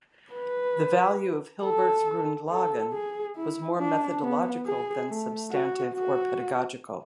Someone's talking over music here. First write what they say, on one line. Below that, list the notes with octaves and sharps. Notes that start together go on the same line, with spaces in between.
The value of Hilbert's "Grundlagen" was more methodological than substantive or pedagogical.
B4
A4
A4
G#4
E4
D4
B3
G#4
A3
F#4
F#4